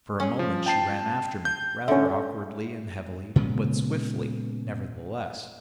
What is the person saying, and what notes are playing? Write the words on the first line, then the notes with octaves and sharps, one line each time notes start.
For a moment she ran after me, rather awkwardly and heavily, but swiftly, nevertheless.
C#4 G#4
F3
G5 A5 C7
G6
D3 C#4 E5
A#2 C#3 G#3 B3